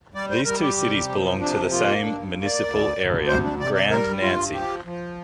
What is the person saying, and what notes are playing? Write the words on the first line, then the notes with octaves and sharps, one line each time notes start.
These two cities belong to the same municipal area: Grand Nancy.
G3 D5
C5
G3 A#4
G4
C3
F3
C3 D4
A#3 F4
G2 D4
A#3
D5
D2
D2
C3 C5
D4
C3 D5
D5
G3 A#4
G2 F4
F3 G4
F3